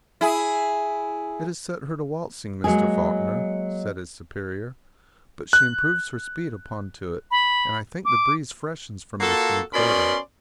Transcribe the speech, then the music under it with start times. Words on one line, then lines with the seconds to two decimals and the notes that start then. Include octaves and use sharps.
"It has set her to waltzing, Mr. Faulkner," said his superior; "but she improves her speed upon to it, and I think the breeze freshens from this new quarter."
0.21 E4 G#4
2.64 F#3 G#3 A#3 G#4
5.53 F#6
7.31 B5
8.05 D6
9.21 A#3 F4 F#4 A4
9.74 B2 C#4 A#4 D5 B5 C6